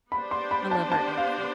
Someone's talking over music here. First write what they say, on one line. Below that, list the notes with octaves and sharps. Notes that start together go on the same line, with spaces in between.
I love her accent.
B3 D4 G4 C5 B5
C6
B5
A5
A5
F5